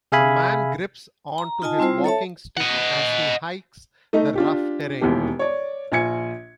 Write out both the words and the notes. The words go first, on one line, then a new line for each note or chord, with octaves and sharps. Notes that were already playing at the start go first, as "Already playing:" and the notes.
A man grips onto his walking stick as he hikes the rough terrain.
C3 G#4 E5 F5 G#5 B5
A#5
D#4 F4 D#5 G#5 A5
G3 C4 E4 F4 C5
A4 C#5 E5 A5
D#5 F#5
A3 D#4 D#5
D4 F4 G4
E1 D#2 B2 E3 G4
C#5 D5
A#1 F4 G#5 G#6 C#7